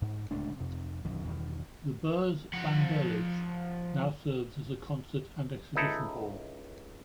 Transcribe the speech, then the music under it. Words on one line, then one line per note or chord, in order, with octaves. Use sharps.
The Beurs van Berlage now serves as a concert and exhibition hall.
G#2
D1 C#2 A3 D4
F2 C3
B1 F#2 D#3 E3
E2 G2 B2 D#3
F3 F#5
C#2 D#4 E4 A4